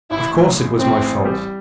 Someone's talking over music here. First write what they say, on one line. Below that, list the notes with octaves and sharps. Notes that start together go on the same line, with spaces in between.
Of course it was my fault.
A1 E4
A2
A1
A2 C4
A1
G3